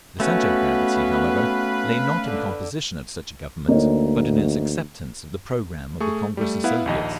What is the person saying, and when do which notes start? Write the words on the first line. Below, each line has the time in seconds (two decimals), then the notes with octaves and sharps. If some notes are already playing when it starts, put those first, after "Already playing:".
The centre of gravity, however, lay not in composition of such a Government, but in its acceptance of the programme of the Congress of Soviets.
0.20 A3 B3 C#4 F#4 B4 F5 B5
2.26 D3
3.68 D2 A#3 D#4 C#5
6.00 A3 G#4 C#6
6.37 G3 A3
6.64 B3 E4 B4 F5 F#5
6.86 A#1 D#2 D#5